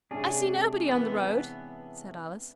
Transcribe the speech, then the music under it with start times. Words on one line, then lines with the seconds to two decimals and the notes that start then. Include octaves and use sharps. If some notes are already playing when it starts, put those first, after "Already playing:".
'I see nobody on the road,' said Alice.
0.11 C3 G#3 C#4 D4 G#4
0.87 E3 B3